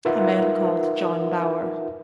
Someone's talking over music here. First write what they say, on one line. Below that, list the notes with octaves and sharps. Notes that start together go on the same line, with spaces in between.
A man called John Bauer.
D#4 F4 A#4 B4 E5 F#5